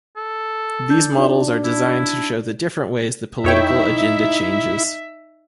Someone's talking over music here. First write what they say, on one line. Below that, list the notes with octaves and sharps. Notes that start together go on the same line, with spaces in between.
These models are designed to show the different ways the political agenda changes.
A4
D4 G6
D#4 F#4 D5
E4
F2 D#4 E4 C#5 E5 G5